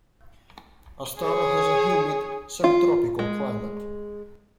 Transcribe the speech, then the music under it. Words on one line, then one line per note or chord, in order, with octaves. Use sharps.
Astara has a humid subtropical climate.
G#4 C#5
F4
G#3